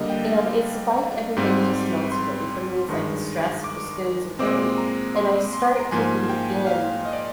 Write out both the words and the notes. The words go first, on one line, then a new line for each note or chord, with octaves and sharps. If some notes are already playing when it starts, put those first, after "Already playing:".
And it's like everything just melts away for me. It's like the stress just goes away, and I start taking in
Already playing: D3 G3 A#3 D#5
G5
F5
G#2 G3 C4
C6
G2 D#3 G#3
D6
A#2 G#3 C4 D6
A#5
C6
C6
A#5
G#2 F3 A#3 G#5
G5
F5
D#5
D5